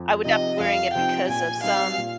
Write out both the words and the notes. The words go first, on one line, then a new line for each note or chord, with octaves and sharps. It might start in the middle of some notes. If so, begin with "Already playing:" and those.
I would not be wearing it because of some
Already playing: F2
C3 F3 C4 D#4 D#5
F2 F5
C3 F3 C4 D#4 G5
A#2 G#5
G3 C4 D#4 F5
A#2